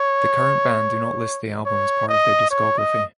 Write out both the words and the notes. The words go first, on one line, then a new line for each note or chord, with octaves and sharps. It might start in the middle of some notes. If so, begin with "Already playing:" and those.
The current band do not list the album as part of their discography.
Already playing: C#5
C#5
D#5
C#5
D#5